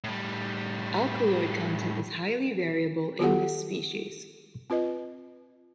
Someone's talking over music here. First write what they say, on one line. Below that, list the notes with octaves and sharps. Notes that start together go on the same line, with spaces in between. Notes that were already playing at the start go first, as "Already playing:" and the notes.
Alkaloid content is highly variable in this species.
A2 G3
D#3 B3 F4 G4 A4 F#5
C4 F4 B4 D#5